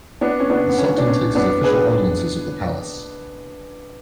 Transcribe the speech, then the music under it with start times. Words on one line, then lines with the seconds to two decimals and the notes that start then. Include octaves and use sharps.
The Sultan takes his official audiences at the palace.
0.21 B3 D4
0.40 C#4
0.50 B3 D4
0.69 B3
0.78 C#4
0.98 D4
1.07 C#4
1.35 B3 D4
1.64 G#4 B4